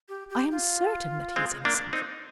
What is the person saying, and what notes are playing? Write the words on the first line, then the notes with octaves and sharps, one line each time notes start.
I am certain that he is innocent.'
G4
G4
F4
G#3 C4
A#3 D4
C4 D#4